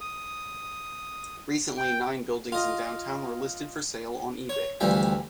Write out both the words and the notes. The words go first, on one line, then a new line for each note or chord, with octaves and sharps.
Recently, nine buildings in downtown were listed for sale on eBay.
D#6
G5
F4 D#5
C#5
D2 E3 F3 G3 E5 G5